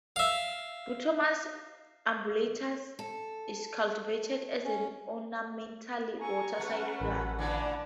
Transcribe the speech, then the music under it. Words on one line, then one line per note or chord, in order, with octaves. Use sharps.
"Butomus umbellatus" is cultivated as an ornamental waterside plant.
E5 F5
A4
C#4
A4 G#5 A#5 C#6
A3 C#4 B4 F#5
A1 A#4 B5
A#2 D3 E3 D5 A5